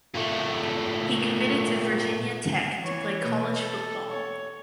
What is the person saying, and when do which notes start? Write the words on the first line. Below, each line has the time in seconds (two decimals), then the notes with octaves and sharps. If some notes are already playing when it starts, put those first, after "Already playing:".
He committed to Virginia Tech to play college football.
0.14 A#2 A3
2.82 E3 C#5
3.19 B2 A#3 B4
3.58 A4
4.09 C#5